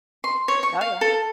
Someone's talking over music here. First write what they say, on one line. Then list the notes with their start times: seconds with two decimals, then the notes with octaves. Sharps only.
Oh, yeah.
0.24 C6
0.48 C#5
0.63 C#6
0.81 F5
1.01 A4